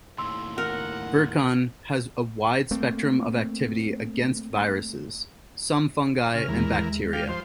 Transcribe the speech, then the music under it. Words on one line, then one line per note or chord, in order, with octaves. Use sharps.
Virkon has a wide spectrum of activity against viruses, some fungi, and bacteria.
D#2 A2 C6 E6
A#4 F#5
A3 A#3 C4
C#3 F6
D#2 E3 G#3 A#4
G4 F5
F3 C5